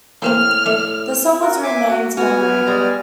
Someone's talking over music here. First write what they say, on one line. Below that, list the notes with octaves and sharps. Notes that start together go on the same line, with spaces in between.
The song was renamed "Memory".
A2 C#3 A#3 C4 F6
A3 D4
F#4 A#4
E5 G#5 D6
F#4
B3 F#4 G#5 F6
G3 G#3